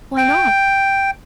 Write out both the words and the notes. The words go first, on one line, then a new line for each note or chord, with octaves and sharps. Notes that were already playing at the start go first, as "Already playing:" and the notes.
"Why not?"
G5